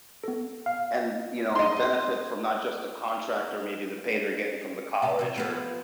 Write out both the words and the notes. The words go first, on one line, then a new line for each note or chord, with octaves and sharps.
And, you know, benefit from not just the contract or maybe the pay they're getting from the college or
B3 A4
F5
D#5 C6
C3 G4
C3 E3
F3 B3 F4